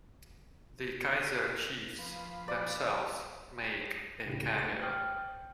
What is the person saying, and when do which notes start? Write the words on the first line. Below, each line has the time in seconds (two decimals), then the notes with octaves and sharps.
The Kaiser Chiefs themselves make a cameo.
1.99 F3 B4
2.48 D5
4.26 C#2 A2 G4
4.55 A3 A6
4.82 C5 G5 F6 G6 F#7